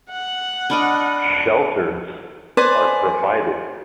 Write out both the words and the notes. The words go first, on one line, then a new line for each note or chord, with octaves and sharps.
Shelters are provided.
F#5
D4 D5 D#5 A5 B5 F6
B4 C5 D5 G#5